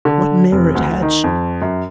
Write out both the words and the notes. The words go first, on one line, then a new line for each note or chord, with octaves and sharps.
What merit had she?
D3
F1
D2
D#3
F2
F#2